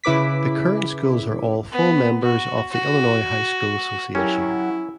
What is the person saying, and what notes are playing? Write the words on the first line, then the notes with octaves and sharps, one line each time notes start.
The current schools are all full members of the Illinois High School Association.
C#3 E4 B4 D6 B6
B3
F#4
F#4
F#3 C#4 E4 G4 A#4